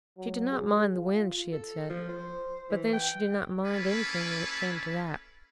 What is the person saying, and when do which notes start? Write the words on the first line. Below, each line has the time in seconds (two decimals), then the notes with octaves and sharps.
She did not mind the wind, she had said, but then she did not "mind" anything, when it came to that.
0.18 F#3
0.52 G#4
0.96 F4
1.52 A4
1.90 F3
2.09 C5
2.70 E3
2.93 G5
3.65 A#3 C#4 E4 F4 A4 B4